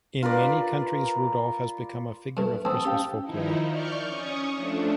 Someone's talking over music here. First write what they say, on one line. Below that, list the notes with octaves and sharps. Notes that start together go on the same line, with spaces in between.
In many countries, Rudolph has become a figure of Christmas folklore.
F4 A#4 B4 D5
G2 A3
A1 C4 A5 D#6 E6
C#4 G4 F5 G5
D#3 F3 D#4 E4
D5 C#6 F6 G6
C#4 C#6 D#6
F3 A3 D4